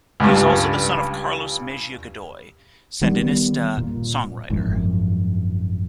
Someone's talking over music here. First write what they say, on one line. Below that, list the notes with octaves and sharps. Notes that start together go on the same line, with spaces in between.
He is also the son of Carlos Mejia Godoy, Sandinista songwriter.
C#2 G2
D#3 G3 B3
A#2
G#1 F#2 F3